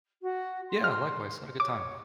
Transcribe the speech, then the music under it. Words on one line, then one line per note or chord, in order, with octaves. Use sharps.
Yeah, likewise, had a good time.
F#4
C6
F6
C#5 D6